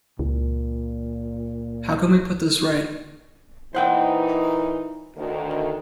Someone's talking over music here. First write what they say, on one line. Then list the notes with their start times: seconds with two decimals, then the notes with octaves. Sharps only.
How can we put this right?
0.19 C#2 A#2
3.75 A#2 E3 D#4 C5 F#5 G5
5.17 D2 D#3